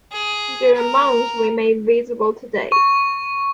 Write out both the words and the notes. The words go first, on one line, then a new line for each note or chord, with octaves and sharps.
Their mounds remain visible today.
G#4
A#4
C#6